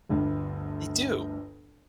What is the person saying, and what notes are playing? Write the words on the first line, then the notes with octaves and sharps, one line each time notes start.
They do.
G1 D2 G2